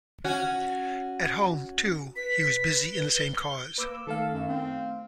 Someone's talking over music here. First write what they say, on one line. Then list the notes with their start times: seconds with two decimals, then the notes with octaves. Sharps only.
At home, too, he was busy in the same cause.
0.24 C#4 F#4
2.16 B4 B6
2.93 G7
3.78 A#3 B4 D6 E6
4.07 D#3 A3 A4 F5
4.32 F#2
4.49 C4